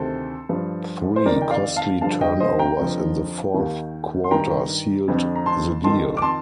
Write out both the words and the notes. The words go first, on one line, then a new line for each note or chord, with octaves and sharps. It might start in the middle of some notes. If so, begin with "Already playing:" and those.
Three costly turnovers in the fourth quarter sealed the deal.
Already playing: D2 C3 D#3 A4 C5
G2 F3
C5
F2 D#3 A#4 D5
G5
D5 F5
F5 A5
G2 D3 F3 F5 A5
D#5 G5
C5 D#5
G5 A#5
F2 D3 F3
D#2 D#3
C6
G2 D#3 G5 A#5
F2 D3 F3
A#5
A5 C6
F2 D#3 A5 C6
D6
A5 C6